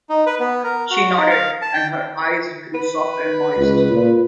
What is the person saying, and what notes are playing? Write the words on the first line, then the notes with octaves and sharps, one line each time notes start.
She nodded, and her eyes grew soft and moist.
D#4
B4
B3
A#4
F#4
D#4
F5
A5
G5
B4
C#2
A#2